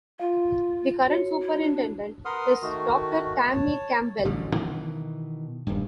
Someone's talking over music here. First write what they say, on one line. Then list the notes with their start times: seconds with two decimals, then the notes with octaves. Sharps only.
The current Superintendent is Doctor Tammy Campbell.
0.20 F4 F5
1.08 F#4 C#5 C#7
1.42 E4
1.62 D4
2.25 A#4 B4 F#5 C6 D#6 F6
2.62 D#3 A3 F#4
3.52 C#5 A5
4.25 A1 D3 F#3 G3
4.52 B2 D#3 E3
5.67 D#1 G2